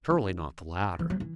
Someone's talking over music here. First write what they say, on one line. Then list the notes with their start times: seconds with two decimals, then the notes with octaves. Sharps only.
Surely not the latter!
0.10 D#3
0.99 E3
1.10 F#3
1.20 E3